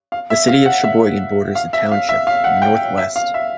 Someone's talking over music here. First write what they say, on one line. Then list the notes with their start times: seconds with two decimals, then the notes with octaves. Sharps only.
The city of Cheboygan borders the township on the northwest.
0.12 F5
0.30 E5
0.48 F5
0.66 F#5
0.84 E5
1.55 F5
1.73 E5
1.92 F5
2.09 E5
2.27 F5
2.44 F#5
2.62 G5
2.98 E5
3.16 F5
3.34 E5